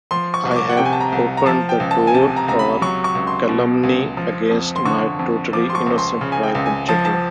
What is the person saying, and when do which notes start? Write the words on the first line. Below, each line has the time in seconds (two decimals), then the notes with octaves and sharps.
I have opened the door for calumny against my totally innocent wife and children.
0.11 F3 C6
0.34 C#6
0.45 C2
0.51 C#6
0.56 D6
0.69 F#5
0.77 C3 G5
0.85 G#5
0.93 A5
1.00 A#5
1.12 C2
1.37 A#5
1.46 F3 A5
1.69 G5
1.80 C#2
1.91 A5
2.07 G#5
2.14 C3 A5
2.36 A#5
2.48 C#2 A#5
2.59 B5
2.82 F#3 C#6
3.04 C#6
3.15 C#2
3.27 C6
3.49 B2
3.83 C#2
4.17 F3
4.51 F2
4.76 C6
4.85 D3 C#6
5.19 F2
5.53 F3 D6
5.70 C6
5.75 C#6
5.86 C#2
5.98 C6
6.21 C#3
6.32 G#5
6.43 G5
6.55 C#2
6.66 G#5
6.88 F3 A5
7.05 A5